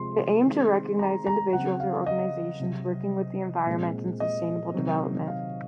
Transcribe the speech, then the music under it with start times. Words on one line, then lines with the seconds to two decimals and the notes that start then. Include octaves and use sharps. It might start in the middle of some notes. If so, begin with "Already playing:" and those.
It aimed to recognize individuals or organizations working with the environment and sustainable development.
Already playing: C3 F3 G#3 C4 C6
0.46 D#3 G#3 C4
0.99 A#5
1.27 A#5
1.53 C#3 F#3 C4 F#5
1.80 F5
2.07 D#5
2.60 C3 F#3 C4
3.67 A#2 G#3 C4
4.20 D#5
4.73 C3 D#3 F#3 C4
5.27 F5